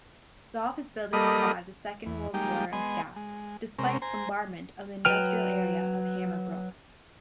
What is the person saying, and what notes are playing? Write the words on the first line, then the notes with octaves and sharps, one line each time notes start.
The office building survived the Second World War unscathed, despite bombardment of the industrial area of Hammerbrook.
G3 A#3 A4 D#5 B5 D#6
E2
G3 G#3 A#3 D#4 G4
G#3 B3 D#5 G#5 C6
G#3
C3 G#3 C4 C#4 A#4
C5 G#5 A#5
F#3 B4 G5 F6